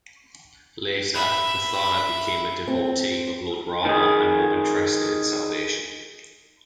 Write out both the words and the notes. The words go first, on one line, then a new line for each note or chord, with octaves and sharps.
Later, Pothana became a devotee of Lord Rama and more interested in salvation.
E5 B5
C4
D#3 G#4